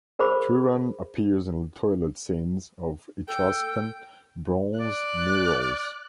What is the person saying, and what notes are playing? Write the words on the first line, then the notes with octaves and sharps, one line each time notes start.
Turan appears in toilette scenes of Etruscan bronze mirrors.
G#4 A#4 C5 B5 D6
A4 G5
D5 F#6